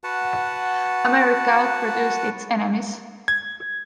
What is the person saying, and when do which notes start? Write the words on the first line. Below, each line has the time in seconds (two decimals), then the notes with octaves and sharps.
America outproduced its enemies.
0.04 F#4 B4 F#5 A5
3.28 G#6